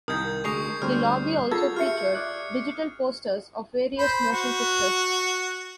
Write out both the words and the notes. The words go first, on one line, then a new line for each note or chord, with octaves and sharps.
The lobby also featured digital posters of various motion pictures.
C2 D#3 A#4 D#6 G6 G#6
D2 G#3 D#5 C#6 C7 F7
D2 G3 C4 C5 F6
F4 G#4 A4 F#5 G#6
F4 G4 E5 F6 C7 C#7
D5 D#5 D6 F#6
C5 B5
F#4